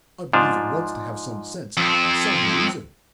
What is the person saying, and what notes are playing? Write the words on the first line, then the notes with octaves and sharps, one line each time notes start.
I believe it wants to have some sense, some reason!
G#2 F3 D4
F2 C4